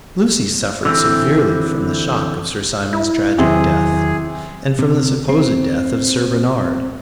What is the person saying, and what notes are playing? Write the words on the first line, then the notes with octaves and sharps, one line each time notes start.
Lucy suffered severely from the shock of Sir Simon's tragic death, and from the supposed death of Sir Bernard.
D3 E3 C4
E4
E2 C3 D#3 F#3 G#4
C3
C4